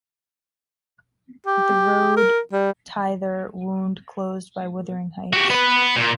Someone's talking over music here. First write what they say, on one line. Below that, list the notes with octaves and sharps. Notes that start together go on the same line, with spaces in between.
The road thither wound close by Wuthering Heights.
G4
A#4
G3
F#4 G4
B3 B4
A#2